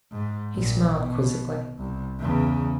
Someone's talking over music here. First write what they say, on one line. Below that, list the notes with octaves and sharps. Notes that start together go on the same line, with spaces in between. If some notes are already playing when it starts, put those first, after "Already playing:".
He smiled quizzically.
G#2
A#1 A#2
B2
C2
E2 C#3